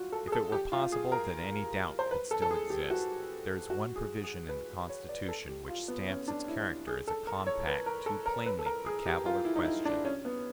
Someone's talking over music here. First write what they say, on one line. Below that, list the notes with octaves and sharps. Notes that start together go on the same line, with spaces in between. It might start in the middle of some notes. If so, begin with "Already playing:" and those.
If it were possible that any doubt could still exist, there is one provision in the Constitution which stamps its character as a compact too plainly for cavil or question.
Already playing: F4 F#4
A4
G#4
A4
G4
F4
G#4
A#4
C5
B4
A4
A4
G#4
G4
F#4
F#4
G#4
G#4
B4
C#5
D5
A4
G4
F4
B3
C#4
D4
E4
G#4
A4
A#4
C#5
B4
A#4
A4
A#4
B4
A4
A#4
G#4
G4
F4
E4
D#4
E4
D4
C#4
B3